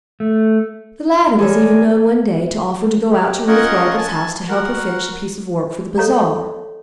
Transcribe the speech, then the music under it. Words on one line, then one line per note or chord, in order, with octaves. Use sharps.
The latter was even known one day to offer to go out to Ruth Roberts' house to help her finish a piece of work for the Bazaar.
A3
E2 A4 A#4 D5 E5 G#5
G4
C#4 F4 A#4 C#5 D#5 F#5
G#5 A5
F#4 A#4 F#5
A4 C#5 D#5 F5 A#5